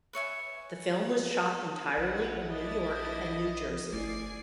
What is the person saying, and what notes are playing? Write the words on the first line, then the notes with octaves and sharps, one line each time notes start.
The film was shot entirely in New York and New Jersey.
B4 C#5 E5 G#5
A#1 E4 B4 F#5
D4 E4 D#5 A6
G1 A3 E4 D5 G#5 C7